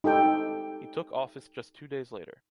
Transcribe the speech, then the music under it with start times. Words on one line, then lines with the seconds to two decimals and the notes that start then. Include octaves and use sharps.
He took office just two days later.
0.04 D#4 G4 A4 G5